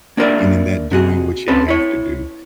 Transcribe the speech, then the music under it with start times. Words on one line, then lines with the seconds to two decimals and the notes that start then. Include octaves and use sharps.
And in that doing what you have to do,
0.17 A#3 D4 A4 A#4 D5 E5
0.91 C3 F#4 G#4
1.48 C4 C#4 A4 B4
1.68 E4 C#5